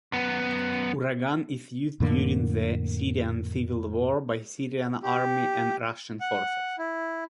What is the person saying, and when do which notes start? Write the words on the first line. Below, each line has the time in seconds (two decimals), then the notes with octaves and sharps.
Uragan is used during the Syrian Civil War by Syrian Army and Russian forces.
0.12 F#2 B3
2.00 F2 A2 D3 A#3
5.03 G4
6.21 F#5
6.78 E4